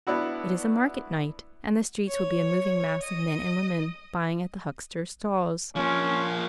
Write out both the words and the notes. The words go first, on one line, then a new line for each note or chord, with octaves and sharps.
It is a market night, and the streets will be a moving mass of men and women buying at the hucksters' stalls.
B3 D4 E4 F#4
C#5
D#5
F3 A#3 C#4